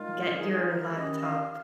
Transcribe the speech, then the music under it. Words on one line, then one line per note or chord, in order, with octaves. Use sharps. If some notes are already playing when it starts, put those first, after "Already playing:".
get your laptop
Already playing: A#2 G#3 D#4 F4
A#4
G#2 D#3 G#3 D#4 G#4
A#4
D#2 D#3 C#4 D#5
F5